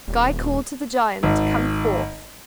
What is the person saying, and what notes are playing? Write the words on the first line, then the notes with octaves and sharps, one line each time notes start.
Guy called to the giant to come forth.
D#1
G#1